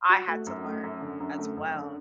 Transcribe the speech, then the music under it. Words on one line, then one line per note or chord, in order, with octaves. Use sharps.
I had to learn as well.
F#4
A3
F#2
A3
F#2
D3
F#2
A3
F#2
D3